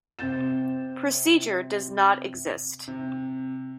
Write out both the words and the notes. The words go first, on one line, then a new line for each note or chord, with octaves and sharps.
Procedure does not exist.
C3 C4 G6 A6 E7
C3